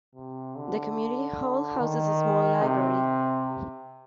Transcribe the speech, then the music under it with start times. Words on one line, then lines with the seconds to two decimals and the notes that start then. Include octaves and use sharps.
The Community Hall houses a small library.
0.16 C3
0.57 D3
1.79 D#3
2.62 C3